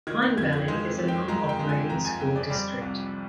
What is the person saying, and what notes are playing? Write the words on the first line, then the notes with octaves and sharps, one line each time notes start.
Pine Valley is a non-operating school district.
D#3 G#6
G6
F2 G#6
G#6
G#3
F2
G5
G#3 A#5
G5
G#3
G#5
F2 A#5
G#5
F2 G5
D5
G3 D5
C2